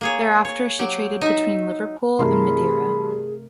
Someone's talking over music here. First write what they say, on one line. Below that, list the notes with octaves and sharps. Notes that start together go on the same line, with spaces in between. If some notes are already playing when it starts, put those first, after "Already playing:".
Thereafter she traded between Liverpool and Madeira.
A#3 G#4 C#5
C#5
F#3 G4
D#4 E5
G2 C3 E3 A3 G#4 A#4 B5 C6